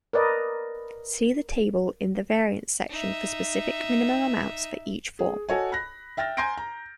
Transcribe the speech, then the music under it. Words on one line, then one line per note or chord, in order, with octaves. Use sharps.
See the table in the variants section for specific minimum amounts for each form.
A#4 B4 D5 D#5
D#4 E5
G#4
F#4 A4 C#5 D#5 G#5
B5 F#6 A#6
E5 G5 F6 A6 A#6
G#5 A#5 C6 G6 A#6 D7
A#5